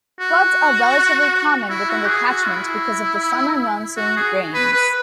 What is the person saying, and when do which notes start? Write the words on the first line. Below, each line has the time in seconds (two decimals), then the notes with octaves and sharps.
Floods are relatively common within the catchment because of the summer monsoon rains.
0.20 F#4
1.70 E4
1.90 F#4
2.08 G#4
2.27 F#4
2.47 E4
3.97 F#4
4.17 G#4
4.54 B4
4.73 B4